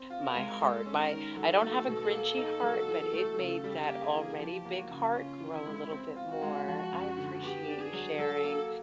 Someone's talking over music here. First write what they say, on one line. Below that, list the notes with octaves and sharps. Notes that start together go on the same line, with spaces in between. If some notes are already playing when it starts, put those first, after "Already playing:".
my heart. My I don't have a grinchy heart, but it made that already big heart grow a little bit more. I appreciate you sharing,
Already playing: C4
F4
A#4
G#3
G#3 A4
C#4
A#4
D#3
F#3 A4
A3
B2
A#3
D#4
F#3
E3
A3
C#3
G3 G4
A#3
G#4
E3
F3 G4
A#3
F#4
C#3
C#4 F4
E3
E4
G#3
C4
F4
F#4
G#3
F3
F#2
D3
B3 G4
D4
G#4
F#3
F#3 A4
A#3